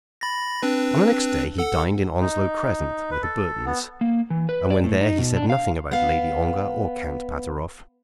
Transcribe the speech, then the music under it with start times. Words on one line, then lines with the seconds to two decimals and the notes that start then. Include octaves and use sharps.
On the next day he dined in Onslow Crescent with the Burtons, and when there he said nothing about Lady Ongar or Count Pateroff.
0.21 B5 A6 A#6
0.62 C4 D4 B4
1.58 A4 F#5
2.21 D#4
3.11 B4
3.23 A4
3.66 B3
4.01 A#3
4.30 E3
4.49 B4
4.70 D5
4.84 A2
5.01 D#4
5.18 B2
5.36 D4
5.50 F5
5.91 B3 F5